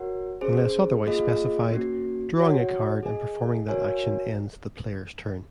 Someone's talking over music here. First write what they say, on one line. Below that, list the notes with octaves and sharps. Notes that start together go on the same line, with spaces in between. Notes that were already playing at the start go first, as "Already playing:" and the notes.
Unless otherwise specified, drawing a card and performing that action ends the player's turn.
Already playing: F#4 A#4 C#5 F#5
C#4 G#4 C5
A#3 F4 G#4 D#5
A#3 C#4 F#4
F#4 C#5 F#5
G#4 D#5 G#5
F#4 A#4 C#5 F5 G#5